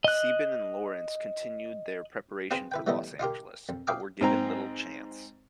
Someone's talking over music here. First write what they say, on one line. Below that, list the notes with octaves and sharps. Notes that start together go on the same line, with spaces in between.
Sieben and Lawrence continued their preparation for Los Angeles, but were given little chance.
D#5 F#6
C4 F4 G#4 B4 C5
E4 B4 G5
E3 G3 A3 B3 E4 D#5
D#4 F4 G4 A#4
F2
E5 F5 G5 G#5 D6 D#6
G#2 C4 A#5